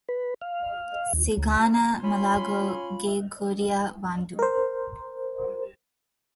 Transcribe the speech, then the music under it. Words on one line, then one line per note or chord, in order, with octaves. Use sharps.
Sighana malagho ghe ghoria w'andu.
B4
F5
D#2
D2
C#4 F4 B5 C6
A#4 C5